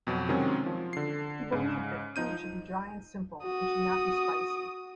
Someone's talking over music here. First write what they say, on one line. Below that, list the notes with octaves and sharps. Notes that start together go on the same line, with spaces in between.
He believed that food should be dry and simple and should not be spicy.
F2 B2 F#3
C3 D#3 F#3 G#3 C4 C#4
F3
D3 C7
G#2 C#3
F3 D#4 G6 D#7
F#4 D#6